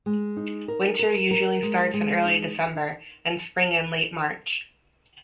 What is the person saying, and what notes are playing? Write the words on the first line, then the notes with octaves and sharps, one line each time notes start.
Winter usually starts in early December, and spring in late March.
G#3
D#4
A#4
A#4
A#4
G#3
G#3
D#4